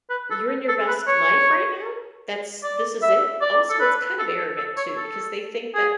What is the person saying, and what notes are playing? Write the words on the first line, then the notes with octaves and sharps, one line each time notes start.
you're in your best life right now? That's this is it?” Also, it's kind of arrogant, too, because they think that
B4
A4
A4
B4
C#5
D5
E5
D5
A4
B4
A4
A4
A4
C#5
A4
G#4